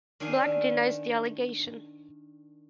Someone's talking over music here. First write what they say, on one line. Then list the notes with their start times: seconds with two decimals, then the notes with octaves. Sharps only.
Black denies the allegation.
0.20 D#3 D4 E5 F5 G#5